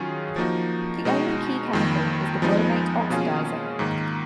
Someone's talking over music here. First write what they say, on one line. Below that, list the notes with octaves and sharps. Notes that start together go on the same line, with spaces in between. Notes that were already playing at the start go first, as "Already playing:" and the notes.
The only key chemical is the bromate oxidizer.
Already playing: D#3 F#3 C#4 F4 G#4
F3 A#3 D#4 F#4
B2 G#3 D#4 F#4
F2 D#3 A#3
F2 F3 G#3 B3 D#4
B2 A#3 C#4 F4 G#4
G#2 D#3 A#3